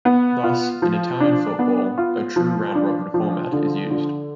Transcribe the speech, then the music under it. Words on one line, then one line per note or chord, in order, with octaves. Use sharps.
Thus, in Italian football a true round-robin format is used.
B3
F4
F3
D4
B3
F4
F3
D4
F3
D3
D3